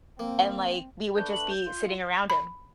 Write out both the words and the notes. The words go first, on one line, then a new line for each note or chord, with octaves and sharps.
and, like, we would just be sitting around him.
A#3 C4
A3 D4 B4 G6
F#7
G6
F4
B5